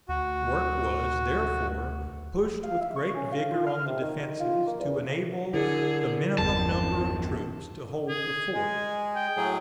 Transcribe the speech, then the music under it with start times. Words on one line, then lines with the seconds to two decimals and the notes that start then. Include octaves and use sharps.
Work was therefore pushed with great vigor on the defences, to enable the minimum number of troops to hold the fort.
0.09 D2 F#4
2.64 F5
2.81 E5
2.96 C#6
3.15 C#4
3.33 F5
3.51 F4
3.67 F6
3.86 C3
4.01 D#3
4.40 F4
4.67 A#3
4.79 E2
5.54 D3 E4 G#4 A#4
6.38 G1 E2 C4 A5
8.08 G#4
8.54 G#3 G#5
9.15 G5
9.37 A2 F#3 G#4